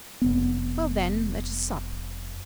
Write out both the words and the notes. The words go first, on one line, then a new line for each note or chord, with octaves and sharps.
"Well, then, let us sup."
F1 B3